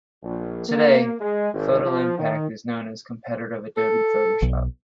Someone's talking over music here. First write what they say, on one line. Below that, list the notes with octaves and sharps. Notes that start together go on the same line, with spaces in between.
Today, PhotoImpact is known as a competitor of Adobe Photoshop.
A#1
A#3
G#3
G#1
F3
D#3
A4
B1